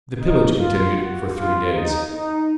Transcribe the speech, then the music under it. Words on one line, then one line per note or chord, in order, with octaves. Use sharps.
The pillage continued for three days.
D#4
F4
F#4
F4
D#4
D#4